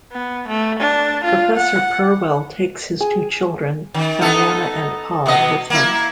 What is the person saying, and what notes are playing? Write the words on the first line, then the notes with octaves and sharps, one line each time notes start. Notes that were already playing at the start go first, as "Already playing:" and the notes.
Professor Purwell takes his two children, Diana and Paul, with him.
B3
A3
D4
F4
F#5
G#4
D#3
B3 D#4 A4
B2 B3 D#5
A#3 E4